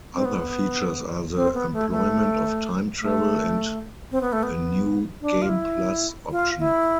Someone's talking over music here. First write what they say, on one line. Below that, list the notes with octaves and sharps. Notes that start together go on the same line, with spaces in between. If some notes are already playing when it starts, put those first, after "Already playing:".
Other features are the employment of time travel and a "New Game Plus" option.
C4
B3
C4
B3
A3
A3
A3
C4
B3
A3
B3
D4
F4
E4
F4
E4